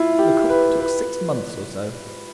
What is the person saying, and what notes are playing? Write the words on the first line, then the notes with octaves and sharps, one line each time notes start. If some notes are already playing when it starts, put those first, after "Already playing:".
Lecoq took six months or so.
Already playing: E4 F4
G4
B4
B4